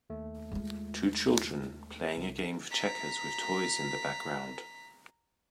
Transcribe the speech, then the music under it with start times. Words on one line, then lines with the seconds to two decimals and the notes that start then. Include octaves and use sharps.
Two children playing a game of checkers with toys in the background.
0.10 D#2 A3
0.52 G#3 F4
2.17 C2
2.71 A#5 B6